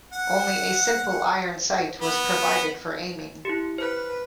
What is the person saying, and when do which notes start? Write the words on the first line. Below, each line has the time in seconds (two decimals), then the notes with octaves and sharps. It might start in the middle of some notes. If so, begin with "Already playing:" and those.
Only a simple iron sight was provided for aiming.
0.13 F#5
2.01 B3
3.45 E4 G4
3.78 B4 C5 F#6